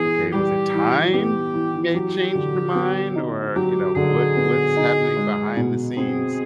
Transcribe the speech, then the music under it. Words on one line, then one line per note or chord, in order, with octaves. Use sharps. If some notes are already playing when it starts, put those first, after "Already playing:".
"Okay, was it time you may change your mind or, you know, what what's happening behind the scenes
Already playing: E3 B3 G#4
G3 G4
E3
B3 G4
E3
F#3 G4
D3
B3
D#4
F#3 G4
D3 G#4
B3
D#4
G#3
B2
C4 G#4